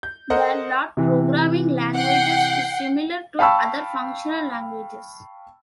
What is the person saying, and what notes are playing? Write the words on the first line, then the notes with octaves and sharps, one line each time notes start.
The Lout programming language is similar to other functional languages.
G6
A4 A#4 C5 D#5 F#5
C3 E3
F#5 G5 C7
F5 G5 A5 B5 C#6 E6